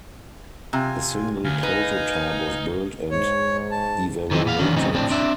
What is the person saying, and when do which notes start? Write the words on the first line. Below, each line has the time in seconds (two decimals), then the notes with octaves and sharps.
A single prototype was built and evaluated.
0.73 C3 F4 G#5
1.44 D2 F5 G#5
1.63 D#4 B4
3.11 G#2 C#5
3.71 A5
4.31 D#3 E3 F#3 C4 D#4
4.45 A#2 B3 F5
4.59 D#3 E3 G3 B3 C#4 D4
4.76 A2 C#3 F#3 C4 D#4
4.92 F2 A2 C4 D4
5.10 C4 D4 D5 E5